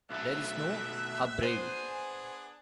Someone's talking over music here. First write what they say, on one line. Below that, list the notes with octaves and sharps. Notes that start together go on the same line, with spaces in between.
There is no hubrail.
B1 A3 E5 F#6
B3 D4 G#4 C5 G#5